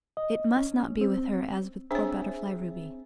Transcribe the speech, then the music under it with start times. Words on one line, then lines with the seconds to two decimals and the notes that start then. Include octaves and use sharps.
It must not be with her as with poor butterfly Ruby.
0.17 D#5
0.57 C#4
1.01 C4
1.91 C4 D4 G#4 C#5 E5